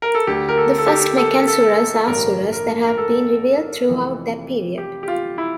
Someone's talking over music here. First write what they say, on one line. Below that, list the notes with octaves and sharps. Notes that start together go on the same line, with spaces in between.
The First Meccan surahs are surahs that have been revealed throughout that period.
A#4
A4
D2 D3 G4
A#4
A4
A4
G4
A4
A4
A4
A1 G2 D3 A#4
A#4
A#4
A4
F1 F2 E3
G4
G4
F4
E4